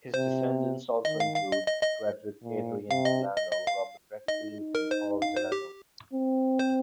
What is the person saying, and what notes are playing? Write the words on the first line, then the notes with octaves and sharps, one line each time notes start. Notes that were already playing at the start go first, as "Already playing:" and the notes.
His descendants also include Frederic Adrian Delano, Robert Redfield and Paul Delano.
C3 C5
D#3 D#5
F5
F5
D#5
D#5
D#5
A#2
C3 F5
D#5
D#5
D#5
F5
D#4 D#5
A#4
C5
F5
C5
G4
C4
C5